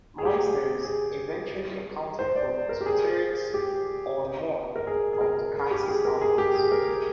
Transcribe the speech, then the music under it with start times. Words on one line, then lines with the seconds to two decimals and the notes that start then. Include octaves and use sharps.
Monsters eventually accounted for two-thirds or more of Ducati's output.
0.18 G#4
0.25 G4
0.33 G#4
0.85 G#4
2.19 C5
2.36 D5
2.69 A#4
2.81 G4
2.86 G#4
3.54 G4
4.76 A#4
4.87 G#4
5.13 G#4
5.21 A#4
5.54 G#4
5.71 G4
5.88 G#4
6.05 A#4
6.21 G#4
6.38 G4
6.55 G#4
6.72 A#4
6.89 G#4